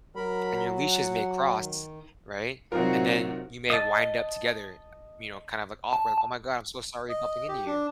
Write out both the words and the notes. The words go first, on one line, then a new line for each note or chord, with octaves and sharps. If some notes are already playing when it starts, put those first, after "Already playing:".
and your leashes may cross, right? And then you may wind up together, you know, kind of, like, awkward, "Oh my god. I'm so sorry bumping into you."
F#3 A#4 B5
F#5
D#3
C3 F#3 C4 D#4 F4 F#4 A#4
D#5 A5
A5
D#5
G4
D4